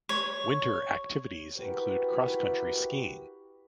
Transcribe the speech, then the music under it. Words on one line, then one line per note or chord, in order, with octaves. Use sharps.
Winter activities include cross-country skiing.
C#5
E4 F#4 G4 A#4 B4